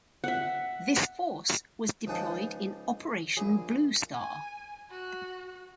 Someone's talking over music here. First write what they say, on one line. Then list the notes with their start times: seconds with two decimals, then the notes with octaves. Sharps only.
This force was deployed in Operation Blue Star.
0.24 E5 F#5
2.07 C#2 F3 D#4 G#4 F#5 A5
3.36 A#1 G#4
4.13 G#5
4.90 F#4